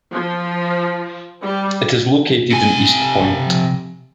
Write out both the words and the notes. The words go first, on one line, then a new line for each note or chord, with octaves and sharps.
It is located in Eastpoint.
F3
G3
C3 G#5